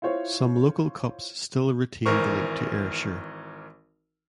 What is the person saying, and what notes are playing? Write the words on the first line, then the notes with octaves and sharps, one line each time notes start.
Some local cups still retained the link to Ayrshire.
E4 F4 C5 C#5
G#1 E3 A#4 C5 C#6